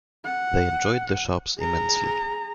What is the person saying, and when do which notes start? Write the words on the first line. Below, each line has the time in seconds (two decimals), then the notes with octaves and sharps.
They enjoyed the shops immensely.
0.25 F#5
1.59 G#4 A#5